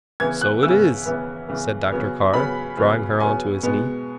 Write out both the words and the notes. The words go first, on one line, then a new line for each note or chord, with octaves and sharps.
"So it is," said Dr. Carr, drawing her on to his knee.
C#3 E3 B3 G#6
F#6
C#3 E3 B3 E6
C#3 E3 B3
C#3 E3 B3
C#3 F#3 B3
C#3 F#3 B3 B5
C#3 F#3 B3
C#3 F#3 B3 G#5
B2 G#3 B3